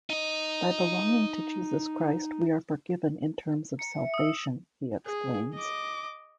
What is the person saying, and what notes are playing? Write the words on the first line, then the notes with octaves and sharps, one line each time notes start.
"By belonging to Jesus Christ, we are forgiven in terms of salvation," he explains.
D#4 D#5
A#5 C#7
E5
D#6 E6
G#4
D#5 D6